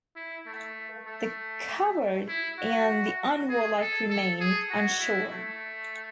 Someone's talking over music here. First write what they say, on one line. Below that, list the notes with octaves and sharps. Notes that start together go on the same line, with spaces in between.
The coward and the unwarlike remain unshorn.
E4
A3
A3
E4
F#4
G#4
A4
A4
G#4
F#4
E4
A3